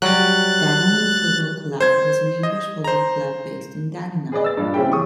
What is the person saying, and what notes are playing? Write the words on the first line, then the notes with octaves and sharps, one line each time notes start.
Dagenham Football Club was an English football club based in Dagenham.
F#3 G3 F#6 A6
C5 G#6
D#5
C5 A#5
G#4 B4 D5 D#5
E6 A6
G2 A#2
C#3 C4 C#4 E4 G4 G5
E3 C#6 D#6